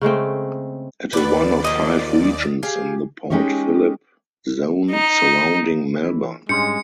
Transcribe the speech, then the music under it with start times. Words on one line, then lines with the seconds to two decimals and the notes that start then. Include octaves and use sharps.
It is one of five regions in the Port Philip zone surrounding Melbourne.
0.01 C#3 G#3 A3 C4
1.13 D#2 B3 B4 D5
1.64 F3 A#3 D#5
2.63 G4 G#4 F5
3.30 G#3 C#4 D#4 G4 A#4 C#5
4.91 D#4
6.04 E3
6.49 G#2 G3 G#3 C#4 D4 C6 C#7